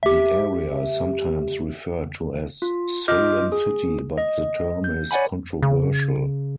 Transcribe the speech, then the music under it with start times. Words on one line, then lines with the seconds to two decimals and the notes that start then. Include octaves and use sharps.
The area is sometimes referred to as Solent City but the term is controversial.
0.03 G4 E5
2.62 F4
3.08 F4 D#5 D6 F6 G6
3.52 G#4
4.18 D#5
4.84 G6
5.11 C#5 D5 F#5 G#5 B5
5.63 C#3